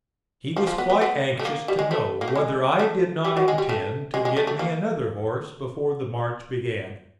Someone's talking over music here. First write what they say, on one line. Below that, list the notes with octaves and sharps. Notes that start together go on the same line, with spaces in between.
He was quite anxious to know whether I did not intend to get me another horse before the march began.
F3
F3
B3
B3
B3
A3
A#3
G3
G#3
A3
A#3
A3
G#3
A3
G3
F#3
G#3
G3
A3
G#3
G#3
A3
A3
A#3